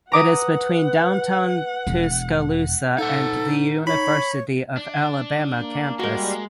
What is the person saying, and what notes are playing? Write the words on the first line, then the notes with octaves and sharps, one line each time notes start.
It is between downtown Tuscaloosa and the University of Alabama campus.
B4 F#5 A#5 D6 D#6
E1
D#4 A4 F#5
C#5 B5
D4
A#3
G3 G#3 F#4 A#4